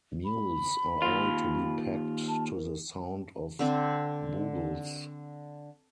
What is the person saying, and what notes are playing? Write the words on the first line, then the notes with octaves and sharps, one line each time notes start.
Mules are all to be packed to the sound of bugles.
B5
D#2 F4
A5
A#4
D3 C4 D4